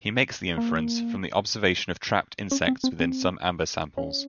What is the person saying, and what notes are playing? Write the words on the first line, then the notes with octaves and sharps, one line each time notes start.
He makes the inference from the observation of trapped insects within some amber samples.
A#3
C#4
C4
C4
C4
C#4